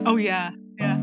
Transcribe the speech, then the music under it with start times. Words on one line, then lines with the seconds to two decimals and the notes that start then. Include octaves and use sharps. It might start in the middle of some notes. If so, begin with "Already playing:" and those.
Oh yeah, yeah.
Already playing: G3 A#3 D4 A4 D5
0.80 D3 G3 A#3 C#4